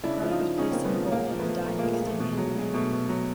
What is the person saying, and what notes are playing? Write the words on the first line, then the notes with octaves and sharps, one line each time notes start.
The product was placed in a bowl and the dye mixed in manually.
C#3 D4 E4
F3
D#4 F4
F3
C#3 C#4 D#4
C#3 A#3 C4
A3 B3
F3
A#2 G#3 A#3
F3
A3 B3
F3
A#2 A3
A#2 G#3 A#3
G#3 A#3
F3
A3
B2 A3
G#3
F#3
F#3 G#3
B2 A3
B2
F#3